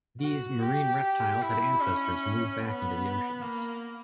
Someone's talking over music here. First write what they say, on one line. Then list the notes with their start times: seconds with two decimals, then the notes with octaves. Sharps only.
These marine reptiles had ancestors who moved back into the oceans.
0.21 F#4
0.61 G4
1.42 E4
1.82 C#4
2.62 B3
3.42 A#3